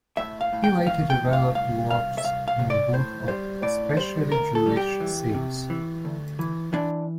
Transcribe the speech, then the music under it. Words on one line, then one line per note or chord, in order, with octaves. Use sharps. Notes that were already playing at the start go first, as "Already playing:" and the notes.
He later developed works in wood of especially Jewish themes.
A2 E5
F5
A2
G5
E3 F5
G5
A2
F5
C2 F5
C2 F5
E5
C2 F5
F5
C3
D5
A2 C5
G3 C5
A2 D5
G3 C5
D2 A#4
A4
G3
G4
E3
C3
E3
D2
E3
E3 D4